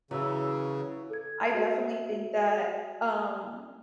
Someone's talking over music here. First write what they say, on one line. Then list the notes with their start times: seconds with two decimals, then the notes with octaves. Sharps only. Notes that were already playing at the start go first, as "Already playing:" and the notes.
I, definitely, think that, um,
0.11 C#3 E3 F#3 E5 E6
1.10 A4 G#6
1.54 F#4 D#5 E5